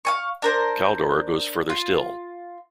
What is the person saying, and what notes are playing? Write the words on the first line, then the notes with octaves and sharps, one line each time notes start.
Kaldor goes further still.
F5 G#5 C#6
D4 A#4 C5
F4